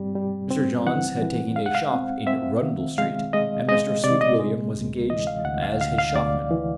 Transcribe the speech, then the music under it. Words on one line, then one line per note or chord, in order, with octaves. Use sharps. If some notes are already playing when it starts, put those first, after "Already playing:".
Mr. Johns had taken a shop in Rundle-street, and Mr. Sweetwilliam was engaged as his shopman.
Already playing: G2 G3 C4
G3
C4
E3 F#5
E3
G#3 F5
F#5
F5
C4
C4 E5
D#3
G#3 F5
G#3 D#5
G#3 D#5
C3 D5
D#5
G#3
D2
E3 D#5
F5
D2 F#5
F5
D2 F5
F5
D2 D5
E3